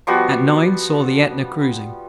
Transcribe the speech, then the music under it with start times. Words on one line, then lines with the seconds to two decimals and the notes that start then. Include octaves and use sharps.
At nine saw the AEtna cruising.
0.07 F3 G3 B3 F#4